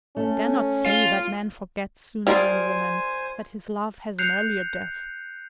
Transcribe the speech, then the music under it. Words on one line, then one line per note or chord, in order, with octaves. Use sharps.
Dare not say that man forgets sooner than woman, that his love has an earlier death.
A3 C#4
F4
G3 F4 G#4 A#4 C5 G#5
F#6 G6 C7 C#7 F7